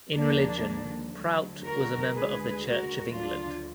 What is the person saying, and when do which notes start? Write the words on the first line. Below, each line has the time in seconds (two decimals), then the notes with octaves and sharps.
In religion, Prout was a member of the Church of England.
0.13 D#2 D3 F3 G#3 A#3 D4
1.14 D2 D3 F#3
1.63 F#4 A#4
2.14 D2 D3 G#3 G#4 B4
2.64 F#4 A#4
3.14 D2 D3 F#3 D4 F4